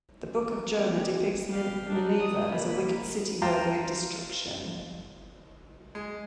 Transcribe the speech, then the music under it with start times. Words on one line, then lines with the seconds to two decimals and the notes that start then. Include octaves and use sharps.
The Book of Jonah depicts Nineveh as a wicked city worthy of destruction.
0.78 A#3 C4 F4
0.95 G4 G#4
1.49 G4 F5
1.88 D4 D#4
2.19 D#6
2.50 A#3 B5
3.42 F5 G5 A5 A#5 C6
5.95 G#3